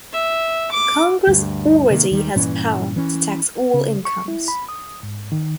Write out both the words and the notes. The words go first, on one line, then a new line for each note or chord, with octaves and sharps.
Congress already had power to tax all incomes.
E5
D6
D2 G2
C3 D#3 G3 A#3
D#2 D#3 G3
G2 A#2 E3 C#4
E3 C#4
C#3
C#6
E4
B5
D#6
G#2
D#3